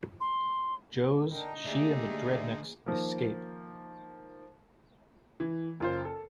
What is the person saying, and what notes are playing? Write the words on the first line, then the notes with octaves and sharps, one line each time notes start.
Joes, she and the Dreadnoks escape.
C6
D3 D4 D#4 A#4 G5
D3 A3 A#3 G4 G#4 D5 E5
D#3 F3 A#3
E3
F#1 F4 C5
A4